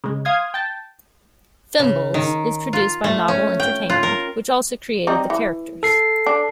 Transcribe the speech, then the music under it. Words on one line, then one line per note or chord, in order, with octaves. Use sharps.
"Fimbles" is produced by Novel Entertainment, which also created the characters.
C#3 G#3
F5 C6 D#6 F6 G#6
G5 A5
C#3
D#3
F4
A3
C#4
G5
F4
A#4
G3 C4 D#4
E3
A4 C7
D4